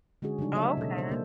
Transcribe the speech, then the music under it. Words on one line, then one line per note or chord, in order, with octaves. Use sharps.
Oh, okay.
D3 G#3 C#4 F#4 G#4
C#3 F3 G3 D4 D#4
C#3 F#3 A#3 C#5 D#5 E5
B2 A4
D4 C5
A#3 D4